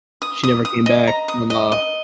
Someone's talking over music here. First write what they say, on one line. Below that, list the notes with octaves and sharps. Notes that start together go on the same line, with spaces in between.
She never came back from a
D#6
D#6
D#6
D#5
A#5
D#6
D#5
D#5